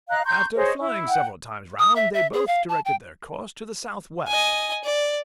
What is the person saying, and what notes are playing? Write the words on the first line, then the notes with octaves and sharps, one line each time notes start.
After flying several times round, they both directed their course to the south-west.
D#5 F5 A#5 F#6
A#5 C6 C#6 G6
G#4 C5 C#5 D#5
E4
F#5 G5
D#6
E5
E5
G#4
F5
A5
G5
D#5 G#5
D5